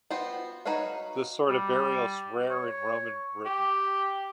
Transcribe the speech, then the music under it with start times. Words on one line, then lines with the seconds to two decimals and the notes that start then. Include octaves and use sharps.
This sort of burial is rare in Roman Britain.
0.10 B3 F4 F#4 C5 G5
0.65 D#4 F#4 B4 C#5 F5
1.48 G3
2.50 C#5
3.45 G4